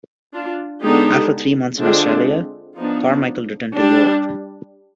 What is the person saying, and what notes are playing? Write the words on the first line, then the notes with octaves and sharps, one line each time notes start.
After three months in Australia Carmichael returned to Europe.
D4 F4
D3 G#3 B3 D4 D#4 G4
D3 G#3 C4 D4 F4
F3 B3 D4 D#4
G3 D4